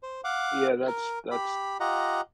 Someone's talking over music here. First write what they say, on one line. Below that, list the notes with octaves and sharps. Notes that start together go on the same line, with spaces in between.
Yeah, that's that's
C5
F5 F#5 D6
A#4
G4 B5
F4 G4 D#5 F#5 A#5